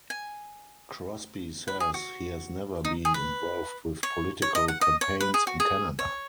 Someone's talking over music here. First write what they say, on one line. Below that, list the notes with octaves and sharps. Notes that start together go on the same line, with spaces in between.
Crosby says he has never been involved with political campaigns in Canada.
G#5
B4
G#4
F#4
D#4
G#4
B4
C#5
C#5
D#5
F#5
D#5
C#5
B4
G#4
F#4
G#4
C#5